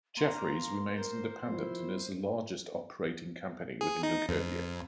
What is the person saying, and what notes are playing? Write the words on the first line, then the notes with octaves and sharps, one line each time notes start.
Jefferies remains independent and is the largest operating company within Leucadia.
A#3 A#5 C6
A#4 C5
F3 E4
G#4
D#4
F2